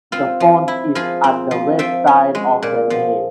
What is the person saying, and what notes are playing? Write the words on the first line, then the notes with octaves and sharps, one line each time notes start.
The font is at the west side of the nave.
C4 F4
F3
E4
F3 F4 G#4
C4
F3
F3 E5 G5
C#4
G#3
A#2
F3